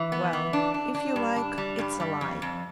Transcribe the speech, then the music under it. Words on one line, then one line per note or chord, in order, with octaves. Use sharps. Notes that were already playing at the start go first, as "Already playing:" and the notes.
Well, if you like, it's a lie.
Already playing: E3
B3
E3
D4
D4
D4
G2
D4
G3
G2
G3
F2
F2